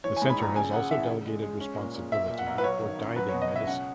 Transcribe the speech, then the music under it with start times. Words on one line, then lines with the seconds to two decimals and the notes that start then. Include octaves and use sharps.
The centre has also delegated responsibility for diving medicine.
0.04 E3 C#5
0.17 G#5
0.22 G#2
0.30 B5
0.38 A#1 A#5
0.56 C#3 G#5
0.73 C#3 F#5
0.90 E3 E5
1.08 C#3
1.25 G#3
1.42 G#3
1.61 C#4
1.77 A#2
1.94 A#2
2.12 B1 E5
2.29 A#2
2.39 F#5
2.47 B1
2.58 B4
2.64 F#3 C#5
2.82 D#3
2.99 F#2
3.16 F#3 B4
3.29 C#5
3.33 B2
3.42 D#5
3.50 C#2
3.56 E5
3.67 C#4 F#5